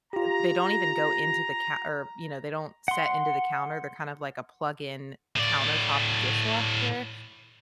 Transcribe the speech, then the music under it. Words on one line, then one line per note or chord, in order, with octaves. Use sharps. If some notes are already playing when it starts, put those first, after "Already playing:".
eh, they don't even go into the ca or, you know, they don't set into the counter. They're kind of like a plug in countertop dishwasher.
F4 G4 A#5
F#5 C6
A2 D5